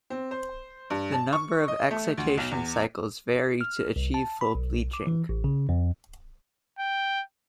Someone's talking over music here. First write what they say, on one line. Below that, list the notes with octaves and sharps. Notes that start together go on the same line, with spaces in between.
The number of excitation cycles vary to achieve full bleaching.
C4
C5
G2
A5
C#6
D#5
A3
D2
B1
E2
F6
C2
A5
B5
B1
D6
E3
A1
C#3
F2
G5